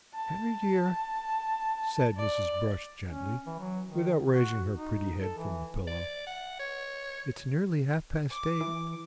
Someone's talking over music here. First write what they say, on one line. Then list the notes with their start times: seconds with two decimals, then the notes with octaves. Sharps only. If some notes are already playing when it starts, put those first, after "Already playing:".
"Henry dear," said Mrs. Brush gently, without raising her pretty head from the pillow, "it's nearly half-past eight."
0.15 A5
2.17 D5
3.07 C#4
3.47 E3
3.59 F#3
3.88 D#3
4.29 F#4
4.76 D#4
5.21 A4
5.38 E3
5.87 D5
6.27 F#5
6.59 C#5
8.30 D6
8.61 E3